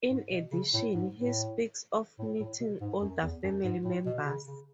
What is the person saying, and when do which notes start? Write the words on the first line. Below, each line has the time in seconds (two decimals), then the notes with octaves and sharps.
In addition, he speaks of meeting older family members.
0.10 G#2
0.32 B2
0.52 C#3
0.74 A2
0.95 G#2
1.15 A2
2.19 A2
2.40 A2
2.60 B2
2.81 G#2
3.01 F#2
3.22 E2
3.44 F#2
3.64 G#2
3.85 A2
4.06 B2
4.26 C#3
4.48 C#3